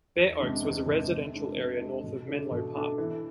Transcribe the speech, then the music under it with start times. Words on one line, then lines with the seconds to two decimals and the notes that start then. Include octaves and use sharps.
Fair Oaks was a residential area north of Menlo Park.
0.16 E2
0.40 C3 G#3 D4
0.63 E2
0.86 C3 G#3 D4
1.10 C3
1.34 G#3 D4 A4
1.57 C3
1.80 G#3 D4 A4
2.03 B2
2.27 A3 D4 A4
2.51 B2
2.74 A3 D4 A4
2.98 E3